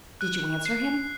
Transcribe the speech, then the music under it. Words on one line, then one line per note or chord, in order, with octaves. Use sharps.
"Did you answer him?"
F#6
C7